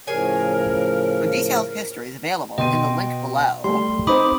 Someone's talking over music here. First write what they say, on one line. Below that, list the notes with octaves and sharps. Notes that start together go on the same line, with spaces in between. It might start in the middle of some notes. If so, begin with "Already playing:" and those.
A detailed history is available in the link below.
A2 C#3 F3 G#4 A#4 C#5 G#5
B2 D#5 G5 C6 D#7
G3 A3 C6
C4 D#4 B5 D6 D#6